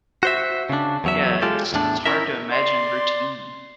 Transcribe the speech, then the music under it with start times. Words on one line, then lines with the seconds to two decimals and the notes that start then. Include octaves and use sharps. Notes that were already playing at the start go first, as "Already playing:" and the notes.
Yeah. It's it's hard to imagine routine.
0.23 F#4 C5 E5
0.69 C#3 D4
1.04 E2 F#3 E5
1.42 G#3 F4 G4 A4
1.73 E2 A2 D4
2.06 C#4 E4 A#4 E5
2.51 D5 C6